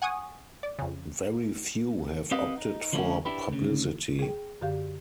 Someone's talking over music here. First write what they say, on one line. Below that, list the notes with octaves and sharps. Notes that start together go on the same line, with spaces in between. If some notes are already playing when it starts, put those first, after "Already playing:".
Very few have opted for publicity.
F#5 G#5 C#6 D#6
D5
F2 C#3
C4 G4 B4 D#5 F5 F#5
D#4
D3 F3 G3 A3 C4 C#4
D4 E4 G4 B4
D2 C#3
G#4 G5
F#2 D3 G4 F5